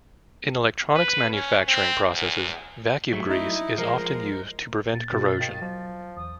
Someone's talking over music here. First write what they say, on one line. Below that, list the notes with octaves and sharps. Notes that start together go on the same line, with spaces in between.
In electronics manufacturing processes, vacuum grease is often used to prevent corrosion.
B4
C#4
C4
E2
F#3 A3
D#4 E4
F3 G#3 A#4
A#2 A6
C2 G2 B2 F#4
D#3 F5 G5
F3 F#3
E2 D#6